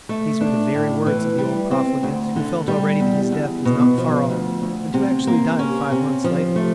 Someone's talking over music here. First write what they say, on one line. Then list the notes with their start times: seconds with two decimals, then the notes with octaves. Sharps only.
These were the very words of the old profligate, who felt already that his death was not far off and who actually died five months later.
0.09 A3
0.41 D4
0.74 A2
1.06 E3
1.38 G3
1.71 C4
2.03 D2
2.36 D3
2.68 G3
3.00 E2
3.32 E2
3.65 B2
3.98 F3
4.30 D2
4.62 D2
4.94 C3
5.27 A#3
5.59 C#4
5.91 C3
6.24 F3
6.56 A3